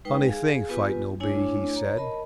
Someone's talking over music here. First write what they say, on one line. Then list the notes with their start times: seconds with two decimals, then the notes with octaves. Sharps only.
"Funny thing fighting'll be," he said.
0.05 G#3 D#4 B4 G5
0.26 G#4 F5 G#5
0.69 B3 F4 G4 B4 G#5
1.20 A3 D4 E4 C#5 G#5 D6
1.76 C#5 A#5
1.97 A#4 D#5 A5 B5